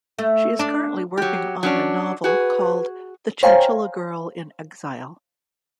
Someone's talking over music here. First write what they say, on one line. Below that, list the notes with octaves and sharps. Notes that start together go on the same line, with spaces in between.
She is currently working on a novel called "The Chinchilla Girl in Exile".
A3
D4
F#3 G4
F#3 C#4 D4
F#4 G#4 B4
C5 C#5 F5 G5 G#5 A#5